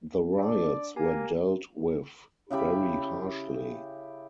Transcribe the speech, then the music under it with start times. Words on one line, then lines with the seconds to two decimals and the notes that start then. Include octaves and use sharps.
The riots were dealt with very harshly.
0.39 D4 D5
0.96 A#3 G4 G#5
2.50 C#3 E4 G4 B5